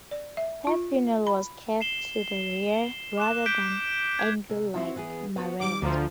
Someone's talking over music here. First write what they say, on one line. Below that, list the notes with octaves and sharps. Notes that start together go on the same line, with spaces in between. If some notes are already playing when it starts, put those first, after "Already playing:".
Her funnel was curved to the rear rather than angled like "Marat".
D5
E5
F4
B5
C7 E7 G7
D6 F#6 E7
G6 B6 D7 G7
G#6
C3
C4 E4 F#4
E3 B3 G#4
B3 F#4
D#3 G3 D6
D2 D3 F3 A#5